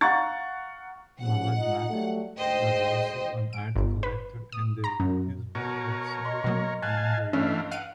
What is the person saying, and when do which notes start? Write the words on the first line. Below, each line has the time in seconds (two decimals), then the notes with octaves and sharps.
Malagnac was also an art collector and the husband of singer Amanda Lear.
0.01 F5 F#5 A#5 C#6 A6
1.20 G2 C#3 F3 F#5
1.56 D#4 F4 D#5
1.88 F#3 G3 A3
2.37 D2 G#2 C5 D#5 G5
3.53 D7
3.76 G1
4.03 B4
4.52 D#6
4.84 A#5
5.00 F#2
5.55 B2 A#4 C#5
6.25 D#5 C6
6.44 B2 F#3 A#3
6.82 F5 G#5 A5 F#6
7.33 G2 E3 A3 C#4 D4 F5
7.72 F5 F#5 D7 D#7